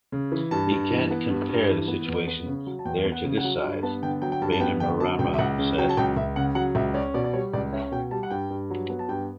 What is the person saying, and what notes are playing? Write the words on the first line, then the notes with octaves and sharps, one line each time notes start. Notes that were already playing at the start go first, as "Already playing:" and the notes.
He can't compare the situation there to this side, Bainimarama said.
C#3
E3
G2 A5
G2
E3
B3
G2
G2
E3
B3
E2
B3
C#3
F#3
A5
E2 G5
B3
F#5
C#3
F#5
F#3
G2
B3 A5
D3 G5
F#3 G5
G5
G2 A5
A5
B3 G5
D3 G5
F#3 A5
C#2 G5
E5
C#2 F#5
C#3
F#3 G5
A5
C#2 G5
C#2 E5
C#3 F#5
F#3 F#5
C#2 E5
C#4 D5
B2 D5
D5
G3 C#5
C#2 D5
C#4 E5
B2 G5
G3 A5
F#5
G2 G5
G2
F#3
B3
A5
G2 G5